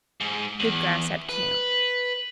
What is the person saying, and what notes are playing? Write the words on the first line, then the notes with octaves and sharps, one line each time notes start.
Good grass at camp.
G#2
E2
B4